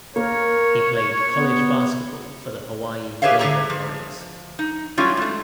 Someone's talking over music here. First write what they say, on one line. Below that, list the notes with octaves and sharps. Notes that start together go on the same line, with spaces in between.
He played college basketball for the Hawaii Rainbow Warriors.
A#3 A#4 C#5
B3
G4 G#4 B4 C#5 E5 F5
D3 G#4 A4 C#5 E5 A#5
F3
D#4
F#3 G3 A3 C#4 E4 F4
G#3 A3